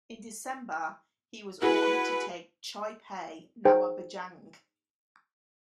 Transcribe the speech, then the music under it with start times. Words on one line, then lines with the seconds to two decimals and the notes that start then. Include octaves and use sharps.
In December he was ordered to take Chapai Nawabganj.
1.62 E4 F#4 G#4 B4
3.65 D#4 G#4 C5 G5 A5